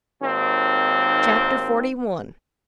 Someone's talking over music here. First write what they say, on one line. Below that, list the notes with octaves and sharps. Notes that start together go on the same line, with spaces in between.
Chapter XLI.
G#1 D#2 C4